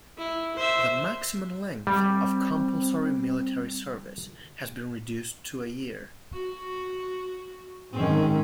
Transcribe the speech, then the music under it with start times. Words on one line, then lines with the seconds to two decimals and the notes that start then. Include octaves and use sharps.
The maximum length of compulsory military service has been reduced to a year.
0.17 E4
0.56 C5 E5
1.87 G3 C4
6.33 F#4
7.93 G#2 D#3 C4 C#4